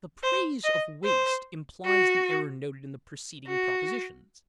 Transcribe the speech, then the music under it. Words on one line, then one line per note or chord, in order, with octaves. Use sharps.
The praise of waste implies the error noted in the preceding propositions.
C5
D#5
C5
F#4
F#4